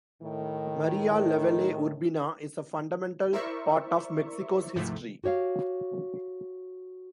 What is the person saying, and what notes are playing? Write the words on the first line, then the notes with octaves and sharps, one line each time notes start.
Maria Lavalle Urbina is a fundamental part of Mexico's history.
A2 D#3
E4 A#4 C5 D5 E5 C#6
D#2 G#2 C3 E3 F3 A3
F#4 G4 C#5 E5 F5